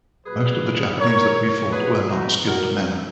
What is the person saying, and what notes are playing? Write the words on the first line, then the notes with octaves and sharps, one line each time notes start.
Most of the Japanese that we fought were not skilled men.
A#2 F#3 G#4 B4
A#4 C#5
B2 F#3 G#4 B4
D#4 F#4
F#4 A#4